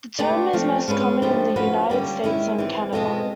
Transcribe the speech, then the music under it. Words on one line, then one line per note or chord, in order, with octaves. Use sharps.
The term is most common in the United States and Canada.
A3 D4 G4 B4 D5
F3 A3 C4
G#3 C#4 F4 G#4 B4
F3 A3 D4 G4 C5
F3 A#3 C#4 F#4 B4
D3 G3 A#3 C#4
D#3 G#3 C#4 E4
E3 G3 C4
B2 G#3 C4 F4 A4